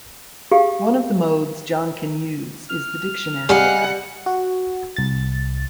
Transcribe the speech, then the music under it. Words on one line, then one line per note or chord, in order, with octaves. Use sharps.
One of the modes John can use is the dictionary attack.
G4 G#4 F5
F6
G3 G#4 D#5 F5 F#5
F#4
C2 A6